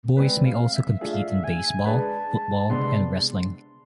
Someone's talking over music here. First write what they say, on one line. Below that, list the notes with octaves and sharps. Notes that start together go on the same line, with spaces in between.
Boys may also compete in baseball, football, and wrestling.
G#3 C4 G#4 B4 D5
F5
E5
A3 D4 F4 G#4 E5
F5
E5
G#5
G#3 D4 G#4 B4 A5
C3 G#3 B3 D4 C6